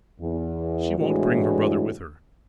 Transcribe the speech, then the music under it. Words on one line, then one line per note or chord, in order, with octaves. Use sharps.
"She won't bring her brother with her."
E2
A2 C3 E3 G#3 D4 F#4